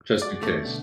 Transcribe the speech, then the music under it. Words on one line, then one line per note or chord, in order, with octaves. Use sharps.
just in case.
G#3 F#4 D5
D#1 A3 C4 C#6
B2 D3